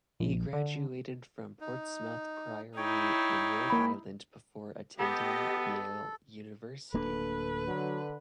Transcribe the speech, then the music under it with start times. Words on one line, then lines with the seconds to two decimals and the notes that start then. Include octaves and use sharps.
He graduated from Portsmouth Priory in Rhode Island before attending Yale University.
0.20 A#1
0.53 D3
1.61 D#4
2.77 D#4 E4 C#5 G5
3.70 A#3 B5
4.99 B3 G4 A4 D#5
6.94 D1 A#3 D4 A4 B4
7.67 D3 F#3